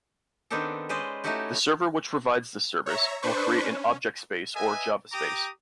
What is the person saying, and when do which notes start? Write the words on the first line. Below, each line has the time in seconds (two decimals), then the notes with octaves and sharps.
The server which provides this service will create an "Object Space", or "JavaSpace".
0.50 D#3 B3 C4 D4 G4 A4
0.89 G#3 C#4 B4 C5 D5 D#5
1.24 A3 C#4 D#4 E4 F#4 G4
2.86 C#5 E5 A#5
3.22 D4 B4 C5 C#6
3.64 C#4
4.55 B4 D#5 E5 G#5
5.13 G4 G5 A#5 D6 D#6